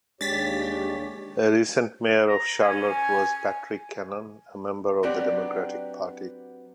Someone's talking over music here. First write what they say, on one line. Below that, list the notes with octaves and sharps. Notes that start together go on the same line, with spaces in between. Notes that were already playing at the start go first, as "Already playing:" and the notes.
A recent mayor of Charlotte was Patrick Cannon, a member of the Democratic Party.
D#2 G#3 D4 G4 C#5 A6 B6
A#5
C#4 G#5
F#3 B3 C4 D4 G4 D5